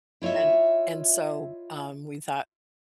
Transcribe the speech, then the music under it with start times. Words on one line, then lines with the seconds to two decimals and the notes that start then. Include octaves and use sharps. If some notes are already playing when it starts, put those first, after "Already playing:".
and and so, um, we thought,
0.22 E4 F4 C#5 D#5 E5